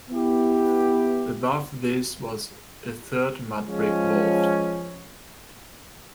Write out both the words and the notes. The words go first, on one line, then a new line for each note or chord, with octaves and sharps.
Above this was a third mudbrick vault.
B3 E4 G4
F3 G#3 C#4